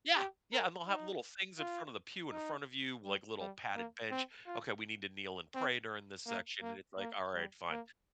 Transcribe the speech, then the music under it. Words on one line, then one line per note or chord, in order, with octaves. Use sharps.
Yeah, yeah, and they'll have little things in front of the pew in front of you, like little padded bench, okay, we need to kneel and pray during this section, and it's like, "Alright, fine."
G4
A#4
D#4
F4
D#4
G3
G3
A#3
C4
F4
C4
A#3
A#3
A#3
G3
A#3